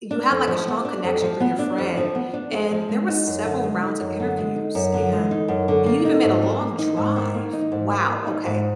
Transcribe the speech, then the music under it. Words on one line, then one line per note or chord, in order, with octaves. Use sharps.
You had, like, a strong connection through your friend, and there were several rounds of interviews, and you even made a long drive! Wow, okay.
D4
F2
F3
B3
D4
F2
F3
B3
D4
F2
F3
B3
D4
F2
F3
G#3
D#4
F#2
D3
G#3
D#4
F#2
D3
G#3
D#4
F#2
D3
G#3
D#4
F#2
D3
A#3
D#4
G#2
D#3
A#3
D#4
G#2
D#3
A#3
D#4
G#2
D#3
A#3
D#4
G#2